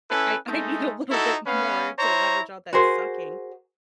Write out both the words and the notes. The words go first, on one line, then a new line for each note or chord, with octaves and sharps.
I I need a little bit more to leverage out that sucking."
C#4 E4 A4 B4
G#3 A3 D#4
D#4 E4 F#4 A4
B3 C#4 B4 F5
E4 C5 C#5 A#5
F#4 G#4 A#4 C5